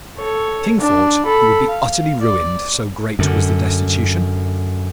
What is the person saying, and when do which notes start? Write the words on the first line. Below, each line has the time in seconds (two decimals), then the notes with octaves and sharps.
The King thought he would be utterly ruined, so great was the destitution.
0.18 A4 C#5
0.80 D4
1.25 A4 B5
1.68 F5
2.21 D5
3.19 F#2 D3